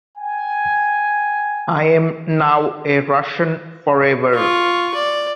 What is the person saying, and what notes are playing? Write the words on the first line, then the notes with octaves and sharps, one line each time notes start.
I am now a Russian forever.
G5 G#5
F4 C#6
D5